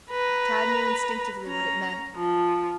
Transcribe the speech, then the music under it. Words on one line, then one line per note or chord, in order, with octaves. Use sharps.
Tad knew instinctively what it meant.
B4 A#5
C#4 A#5
F3